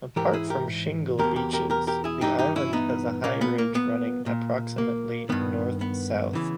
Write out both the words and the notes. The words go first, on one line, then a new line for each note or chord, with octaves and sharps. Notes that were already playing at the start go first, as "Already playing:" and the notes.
Apart from shingle beaches, the island has a high ridge running approximately north-south.
G#2 E3 G4 A#4
E4 G#4
G4 A#4
E2 B2 G4 A#4
G4 A#4
G4 A#4
G4 A#4
G4 A#4
E4 G#4
G2 E3 D#4 G4
D#4 G4
C#4 E4
B3 D#4
A#2 A#3 C#4
B3
A#3
B3
A#2
A#3
G2 D#3 B3
B3
C#3 E3